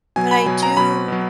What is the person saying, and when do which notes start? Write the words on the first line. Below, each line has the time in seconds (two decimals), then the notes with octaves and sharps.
but I do
0.16 B2 F#3 G#5
0.31 B5
0.46 B2 F#3 G#5
0.63 A#5
0.77 B2 F#3 B5
1.08 B2 F#3